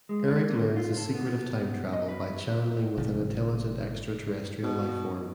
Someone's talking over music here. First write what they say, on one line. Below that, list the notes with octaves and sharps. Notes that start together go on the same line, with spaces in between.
Eric learns the secret of time travel by channeling with an intelligent extraterrestrial lifeform.
G#3
A#3
F4
A4
B3
D#5
B4
G1 C3 F3 A3
B2